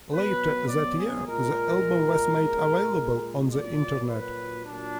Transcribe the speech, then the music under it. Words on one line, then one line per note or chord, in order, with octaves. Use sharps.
Later that year, the album was made available on the Internet.
B2 F#3 B4
D5
G#4
A#2 G#3 A#4
A#2 G#3
A#2 F#3 D5
B4
A#2 F#3 D4